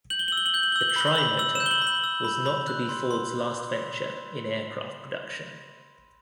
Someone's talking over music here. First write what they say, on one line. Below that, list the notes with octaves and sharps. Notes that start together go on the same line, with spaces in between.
The Trimotor was not to be Ford's last venture in aircraft production.
G6 F#7
G7
F#7
E6
G7
F#7
G6 G7
F#7
E6 G7
F#7
G7
B5 F#7
G7
F#7
B5
E6 F#7
E7
G6
G7
F#7
B5
F#7
E6
B5
B5
F#6
C6
C6